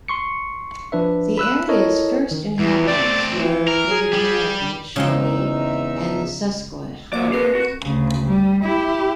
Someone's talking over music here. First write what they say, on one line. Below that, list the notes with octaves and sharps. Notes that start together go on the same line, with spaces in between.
The area's first inhabitants were Native American Shawnee and the Susquehannock.
C6 C#6 C#7
F3 D4 B4 E5
B5 E6 F#6
E4 A4 A#4 C#5 D#5
D#3
E2 E3
A3 C4 D5
E3
A#4
G#4
G3 G4
E2 C#3 G#3 C4 D#4 E5
A#3 F#4 C5 D5 D6
A#3 C4 G#4 A#4 B4
F#4
D2 C#3
G3
E4 G4